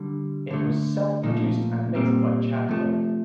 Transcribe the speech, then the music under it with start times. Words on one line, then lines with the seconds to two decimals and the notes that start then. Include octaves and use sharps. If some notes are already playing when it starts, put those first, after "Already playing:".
It was self-produced and mixed by Tchad Blake.
Already playing: D3 G3
0.51 D3 A3
1.23 A#2 F3 A3 D#4
1.95 A#2 G3 C4
2.69 C3 F3 A3